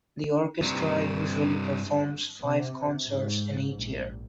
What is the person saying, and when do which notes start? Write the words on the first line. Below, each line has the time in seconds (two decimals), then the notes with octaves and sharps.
The orchestra usually performs five concerts in each year.
0.61 G2 C3
2.41 C3
3.03 G#2
3.75 A#1